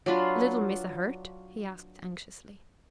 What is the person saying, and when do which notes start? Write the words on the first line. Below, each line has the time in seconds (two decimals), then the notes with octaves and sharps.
"Little Missa hurt?" he asked anxiously.
0.06 F#3 D4 F4 B4